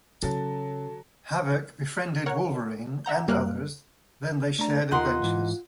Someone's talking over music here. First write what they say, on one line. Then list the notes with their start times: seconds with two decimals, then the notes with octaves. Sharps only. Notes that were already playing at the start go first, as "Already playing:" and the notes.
Havok befriended Wolverine and others, then they shared adventures.
0.23 C#3 F#3 A4 A5 A6
2.26 A#4 C#5 F#5
3.05 E5 F#5 A#5 G6
3.28 F#2 G3 A#3 F6 F#6
4.59 A3 D4 A#5
4.91 D#2 D#3 D#4 F4 A#4 F#5 C6
5.22 G#2 E3